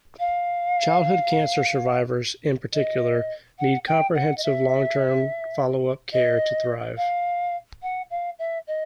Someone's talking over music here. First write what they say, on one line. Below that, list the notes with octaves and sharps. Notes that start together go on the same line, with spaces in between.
Childhood cancer survivors, in particular, need comprehensive long-term follow-up care to thrive.
F5
D#5
F#5
G5
F#5
D#5
E5
D#5
F5
F#5
F5
E5
D#5